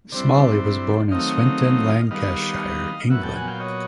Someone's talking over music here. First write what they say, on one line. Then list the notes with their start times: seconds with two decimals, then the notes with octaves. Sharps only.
Smalley was born in Swinton, Lancashire, England.
0.12 D3 G3 C4 E4 C5 D5
1.11 D#3 F#3 A3 C4 D#4 D#5 F5
2.11 D#3 G3 B3 D#5 F5
3.10 A#2 F#3 B3 E5 F#5
3.23 G5 A5
3.35 F#5 G#5
3.47 F5 G5
3.60 C#5 D#5